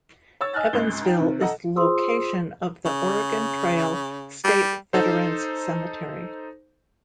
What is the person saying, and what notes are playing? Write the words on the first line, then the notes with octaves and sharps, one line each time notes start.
Evansville is the location of the Oregon Trail State Veterans Cemetery.
C#5 E6 A6
D#5 G#5 F6 F#6 A6
G#1 C#2 G#3 G7
D#4 G5
C3 D#3
A4 D#5 F#5 A#5
F4 G#4 C5 C6 D#6 E6
C#3
G3
D#4 A4 C5